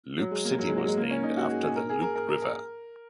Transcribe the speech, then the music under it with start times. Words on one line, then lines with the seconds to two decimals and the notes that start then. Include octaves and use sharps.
Loup City was named after the Loup River.
0.19 F#3
0.31 G#3
0.45 A#3
0.59 F#3
0.68 G#3
0.78 F#3
0.87 G#3
0.98 A#3
1.10 C#4
1.23 D#4
1.37 F#4
1.50 G#4
1.63 G#4
1.76 A#4
1.89 G#4
2.02 A#4
2.16 A#4
2.29 A#4
2.42 A#4